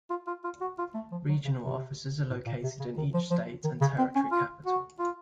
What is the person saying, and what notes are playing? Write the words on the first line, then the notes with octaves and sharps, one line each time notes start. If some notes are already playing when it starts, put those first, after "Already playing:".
Regional offices are located in each state and territory capital.
F4
F4
F4
F#4
F4
A3
F3
F#3
C#3
C3
A2
A#2
C3
C#3
D#3
F3
F3
D#3
C#3
C4
C#4
F4
F#4
F4